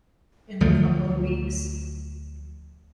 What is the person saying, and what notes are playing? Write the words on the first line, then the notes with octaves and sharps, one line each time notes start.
in a couple of weeks.
D2 F3 F#3 A3